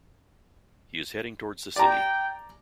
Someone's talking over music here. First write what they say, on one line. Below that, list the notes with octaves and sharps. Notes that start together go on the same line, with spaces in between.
He is heading towards the city.
D5 G5 A#5